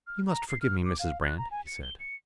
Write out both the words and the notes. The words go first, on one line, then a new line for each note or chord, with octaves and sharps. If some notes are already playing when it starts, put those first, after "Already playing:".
"You must forgive me, Mrs. Brand," he said.
F6
A#5
C7
F6
D6
F5
F#6
A#5
G#5
C#7
G7
C#7